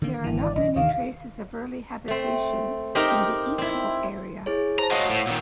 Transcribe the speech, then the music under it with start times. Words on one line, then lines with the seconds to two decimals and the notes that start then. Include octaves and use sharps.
There are not many traces of early habitation in the Eeklo area.
0.02 D3 D#3 A#3
0.24 G#1 E3
0.42 D5
0.55 B1 D#5
0.76 D2 C3 D#3 F5
2.08 A3 C4
2.95 C4 D#4 G4 A#4 D#5 A#5
3.58 C4 E4
4.46 E4 G#4 C#5
4.79 C5 A5 A#5
4.91 F#4 C5 C#5 D#5 F5 F#5
5.10 A2
5.27 A#2 D#3